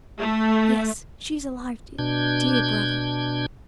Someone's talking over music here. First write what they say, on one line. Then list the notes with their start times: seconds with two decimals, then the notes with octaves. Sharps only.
'Yes, she is alive, dear, dear brother!
0.19 A3
1.98 B2 D4 G6 G#6